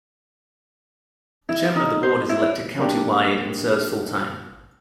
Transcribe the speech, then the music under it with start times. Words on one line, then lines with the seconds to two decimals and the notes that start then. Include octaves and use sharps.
The chairman of the board is elected county-wide and serves full-time.
1.49 E4
1.76 D#4
2.03 C5
2.29 E4
2.78 F#3 A#3 D4 G4 A#4